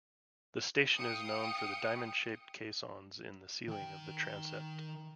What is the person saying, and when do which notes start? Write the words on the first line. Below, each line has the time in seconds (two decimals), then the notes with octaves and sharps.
The station is known for the diamond-shaped caissons in the ceiling of the transept.
0.98 F5 G5 D#6 C#7
3.68 D#3 G5